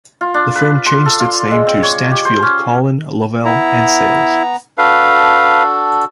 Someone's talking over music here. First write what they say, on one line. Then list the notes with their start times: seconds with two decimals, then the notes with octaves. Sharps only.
The firm changed its name to Stanchfield, Collin, Lovell and Sayles.
0.21 F4
0.34 D4
0.55 B4
0.86 C6
1.05 A4
1.20 F4
1.51 G#3
1.67 C4
1.83 C#5
2.11 G4
2.25 C5
2.42 C#4
3.45 B3 E4 A#5
4.78 D4 F#4 A4 B4 F5